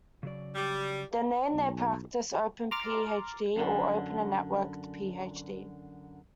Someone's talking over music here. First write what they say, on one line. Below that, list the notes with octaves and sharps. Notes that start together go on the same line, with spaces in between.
They name their practice OpenPhD or Open and Networked PhD.
C#3 F#3 D5
G3
B1
A#5 C6 D6 F6 A6
F#2 D3